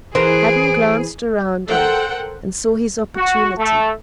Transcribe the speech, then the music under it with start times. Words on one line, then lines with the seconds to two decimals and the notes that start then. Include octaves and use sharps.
Hadden glanced around him, and saw his opportunity.
0.15 E3 G#4 A#4 C5 D7
1.70 A4 A#4 C5 F#5 G5
3.16 F#4
3.57 A3